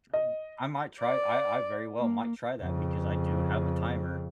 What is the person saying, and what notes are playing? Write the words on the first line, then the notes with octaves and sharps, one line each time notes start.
Um, I might try I I very well might try that, because I do have a timer,
D#5
D5
A#3
F2 C#3